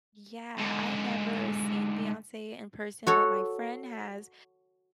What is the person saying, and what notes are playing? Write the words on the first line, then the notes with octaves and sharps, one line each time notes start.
Yeah, I never seen Beyoncé in person, but my friend has.
G#2 D3
F#4 A4 C#5